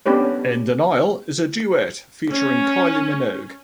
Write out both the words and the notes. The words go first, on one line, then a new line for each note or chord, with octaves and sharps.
"In Denial" is a duet featuring Kylie Minogue.
B3 C#4 D4 G4 B4 C#5
C#4